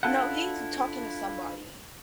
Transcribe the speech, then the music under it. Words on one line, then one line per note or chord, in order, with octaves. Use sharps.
No. He's talking to somebody.
D4 E4 F4 A4 B4 F#5